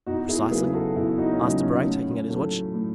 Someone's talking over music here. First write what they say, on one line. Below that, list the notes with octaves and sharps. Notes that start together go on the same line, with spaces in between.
"Precisely?" asked Debray, taking out his watch.
E2 D#4 F#4
E4 G#4
C#3 F#3 G#4 B4
G#4
F#4 A4
E2 E4 G#4
D#4 F#4
C#4
C#3 F#3 D#4
C#4
A2
F#3 A3
A2